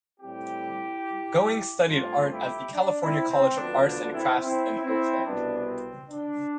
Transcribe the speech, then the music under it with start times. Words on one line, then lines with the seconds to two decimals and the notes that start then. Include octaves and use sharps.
Goings studied art at the California College of Arts and Crafts in Oakland.
0.21 A2 G3 C4 E4 G4
1.89 G2 F3 A3 C4 D4 F4
2.31 E4 G4
2.73 D4
3.01 C4 E4
3.30 C4
3.57 D2 D3 F3 B3 D4
3.85 D4
4.13 C4 E4
4.42 C4 E4
4.83 C4 E4
5.25 C2 B2 B3 D4
5.67 C4
6.10 D4